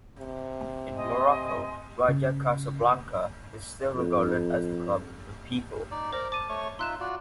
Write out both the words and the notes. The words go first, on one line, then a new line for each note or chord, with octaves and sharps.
In Morocco, Raja Casablanca is still regarded as the club of the people.
C3
D#5 G#5 C6
C#3
F2
D#4 D5
A#4 C5 D5 A#5
A5 D6 D#7
A3 C#5 C#6
D#4 F4 E5 C6 F#6 E7
F4 F#4 D5